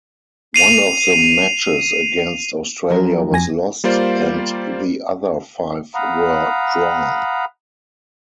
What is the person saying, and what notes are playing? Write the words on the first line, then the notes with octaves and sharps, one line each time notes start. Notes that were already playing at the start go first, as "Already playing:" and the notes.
One of the matches against Australia was lost, and the other five were drawn.
C7 D#7 F7
F3 F#3 A#4
F2 G#5 A#6
G3 A#3 F4 C5 D5
F5 F#5 A#5 B5 D#6